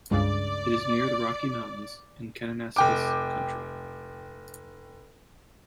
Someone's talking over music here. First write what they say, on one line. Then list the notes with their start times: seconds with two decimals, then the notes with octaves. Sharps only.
It is near the Rocky Mountains and Kananaskis Country.
0.11 C#2 G2 C#3 D5
2.76 F1 G5 D6